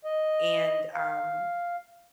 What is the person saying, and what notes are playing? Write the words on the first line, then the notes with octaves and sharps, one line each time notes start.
and, um,
D#5
F5